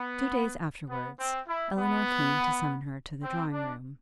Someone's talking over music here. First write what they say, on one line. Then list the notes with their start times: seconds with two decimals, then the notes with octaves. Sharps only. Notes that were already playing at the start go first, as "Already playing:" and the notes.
Two days afterwards, Elinor came to summon her to the drawing-room.
Already playing: B3
0.90 B3
1.20 C4
1.48 E4
1.77 B3
3.23 C4
3.53 D4